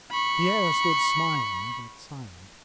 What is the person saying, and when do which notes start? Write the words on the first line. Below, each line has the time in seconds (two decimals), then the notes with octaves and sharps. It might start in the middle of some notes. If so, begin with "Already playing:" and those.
Pierre stood smiling but silent.
0.11 B5 C#6